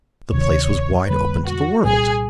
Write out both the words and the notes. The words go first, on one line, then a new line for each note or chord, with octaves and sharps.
The place was wide open to the world.
D2 C3 D#3 C#5
F2 D3 G3 A#3 B4
F#4
C2 A#2 G3 G#4